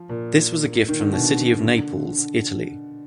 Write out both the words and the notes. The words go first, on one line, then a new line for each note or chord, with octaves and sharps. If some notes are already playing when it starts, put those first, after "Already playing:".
This was a gift from the city of Naples, Italy.
Already playing: F3
A#2
D#3
D3
B2
D3